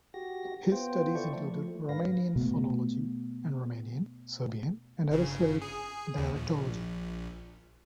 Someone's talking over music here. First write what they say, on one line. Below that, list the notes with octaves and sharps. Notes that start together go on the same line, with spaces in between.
His studies included Romanian phonology, and Romanian, Serbian, and other Slavic dialectology.
F#4 G4 A#6
B3 F4 C5 G5
E4 A4 D5 C#6
F3 A3
G#2 D3 B4 F5 A#6
B2 A3 B3
G1 C#3
G#4
D#2
A#1